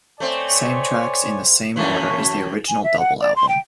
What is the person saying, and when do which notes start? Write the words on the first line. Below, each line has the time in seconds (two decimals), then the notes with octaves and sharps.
Same tracks in same order as original double album.
0.20 A3 C4 C#5 D5 G#5
1.76 F#2 A2 E3 A#3 C#4
2.68 G#5
2.84 E5
2.99 F#5
3.21 D5
3.36 C6
3.49 G5